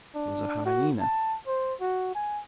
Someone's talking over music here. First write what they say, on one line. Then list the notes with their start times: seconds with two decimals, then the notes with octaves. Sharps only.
It was a hyena.
0.15 D4
0.66 F#4
1.01 A5
1.47 C5
1.81 F#4
2.15 G#5